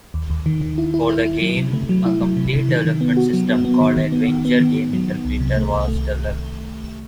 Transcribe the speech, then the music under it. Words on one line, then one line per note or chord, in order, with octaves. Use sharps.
For the game, a complete development system called Adventure Game Interpreter was developed.
D#2
D#2
D#3
D#3
E4
E4
E4
E4
F#3
C3
A3
F#3
E4
F#3
C3
C3
D#3
D#3
B3
F#4
F#3
B3
B3
D#3
D#3
B3
D#3
B3
D#3
D#3
F#3
D#3
C2
C3
A3
C2
A3